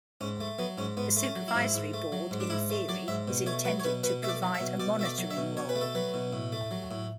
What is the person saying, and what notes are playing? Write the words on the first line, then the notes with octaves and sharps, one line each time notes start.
The supervisory board, in theory, is intended to provide a monitoring role.
G#2 C#4
A3
F#3 B3
G#2 C#4
G#2 B3
A3
C#4
F#3
E4
G#2
G#2
A3
F#3
G#2
D4
G#2 E4
A3
F#3 D5
G#2 E5
B2
A3 C#5
F#3 B4
C#5
B2 B4
B2 B4
A3 E5
D5
F#3
E5
B2
B2 D5
A3 E5
D5
F#3
E5
B2
B2 C#5
B4
A3
A4
F#3 B4
B2
A2
A3
F#3
A2